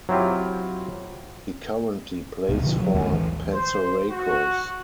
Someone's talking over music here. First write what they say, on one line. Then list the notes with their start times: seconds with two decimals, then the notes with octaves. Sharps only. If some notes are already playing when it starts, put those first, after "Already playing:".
He currently plays for Panserraikos.
0.09 F#3 C4 E4 F4 G4
2.49 C#2 B2
2.62 D3 F3
2.80 F#3
2.94 D#2 D#3 G#3
3.12 A1 E3
3.52 C5
4.10 F#4